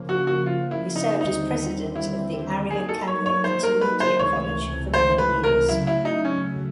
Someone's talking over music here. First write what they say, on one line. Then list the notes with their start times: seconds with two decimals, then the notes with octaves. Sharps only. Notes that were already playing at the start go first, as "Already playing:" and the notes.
He served as president of the Arya Kanya Intermediate College for many years.
Already playing: C#3 F3 A#3
0.09 F#4
0.27 F#4
0.46 F4
0.71 E4
0.96 D#4
1.21 D#2 D3 G3 C4 D#4
1.95 E4
2.69 F#3 A#3 D#4 G#4
2.89 A4
3.07 C#5
3.26 C#5
3.44 C5
3.63 A#4
3.81 B4
4.00 C5
4.19 C#2 C3 E3 A3 C#5
4.94 C5
5.18 B4
5.43 A#4
5.68 C#3 F#3 A3 E4
5.87 E4
6.05 D#4
6.25 C#4